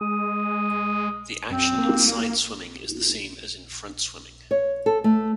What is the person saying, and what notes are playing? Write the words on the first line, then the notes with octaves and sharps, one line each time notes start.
The action in side swimming is the same as in front swimming.
G#3 D#6
F#2 C4
A#3
C#5
A4
A3